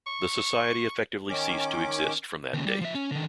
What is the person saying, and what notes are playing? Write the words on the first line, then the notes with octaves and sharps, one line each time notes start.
The society effectively ceased to exist from that date.
C#6
D#3 C#4 D6
D#2 C#3
G3
F3 E5
C#4
D3 D#3